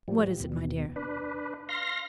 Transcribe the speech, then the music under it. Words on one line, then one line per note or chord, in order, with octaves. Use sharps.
"What is it, my dear?"
A2 F3 G3
D#2 B2
D4 B4
F5 C6 A#6